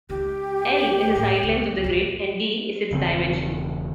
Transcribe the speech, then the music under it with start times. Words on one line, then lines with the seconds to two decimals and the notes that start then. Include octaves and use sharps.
"L" is the sidelength of the grid and "d" is its dimension.
0.10 C#2 D#3 G4
1.15 A2 C#4
1.43 C#2
1.84 B1 E2
2.91 E1 C#3 E3 C4